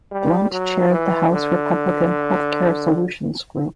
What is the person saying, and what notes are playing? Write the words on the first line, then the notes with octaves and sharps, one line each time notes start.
Blunt chaired the House Republican Health Care Solutions Group.
G3
F#3
E3
D3